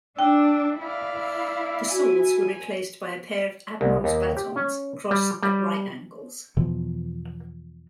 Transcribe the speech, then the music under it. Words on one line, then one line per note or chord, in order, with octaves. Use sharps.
The swords were replaced by a pair of Admiral's batons crossed at right angles.
D4 G5 E6
E4 D5 F5
F#4 G#5
C2
D#2
G4
C#4
G3
G3
E2 B2 E3 F3